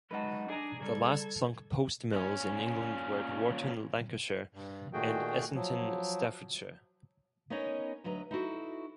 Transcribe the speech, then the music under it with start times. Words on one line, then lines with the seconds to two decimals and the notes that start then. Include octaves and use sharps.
The last sunk post mills in England were at Warton, Lancashire, and Essington, Staffordshire.
0.11 F#2 G#3 D#4 F#4 B4 A5
0.48 D4 G#4 D5 A#5
0.80 C#3 G3 A4 G#6
2.13 A#2 C#4
4.54 G2
4.93 A#2 D#3 A3 F#4 G#4 G5
5.54 F3 F#3
7.50 B3 C#4 D#4 A#4 C#5 D#5
8.04 D2 F#3 B4 D#5 A#5
8.31 D#4 E4 F#4 A4